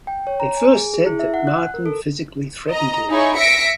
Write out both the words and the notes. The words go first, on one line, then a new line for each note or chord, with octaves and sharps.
They first said that Martin physically threatened him.
G5
C#5
A#5
G#5
G#4
G#4
E4
E5
F#5
F#6
A#4
A4
D#5 A#5
D#4 E4 G#4 C#5 C#6
E5 A#6 B6 C#7 D7